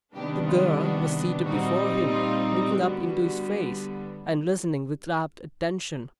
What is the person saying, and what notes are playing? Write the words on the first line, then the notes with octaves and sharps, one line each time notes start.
The girl was seated before him, looking up into his face, and listening with rapt attention.
C3 D#3 G3 B3 D4 G4
F4
F#4
A#2 G3 C4 D#4 F#4
F4
D3 G3 B3 F#4